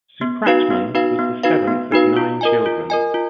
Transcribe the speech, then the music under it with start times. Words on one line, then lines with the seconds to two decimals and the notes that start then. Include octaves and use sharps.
Supratman was the seventh of nine children.
0.21 B3
0.46 D#4 F#4 B4 F5
0.70 B3
0.95 D#4 F#4 B4 F5
1.19 B3
1.43 D#4 F#4 B4 F5
1.68 B3
1.92 D#4 F#4 B4 F5
2.16 F4
2.41 A#4 D#5 G#5
2.66 F4
2.90 A#4 D#5 G#5
3.14 F4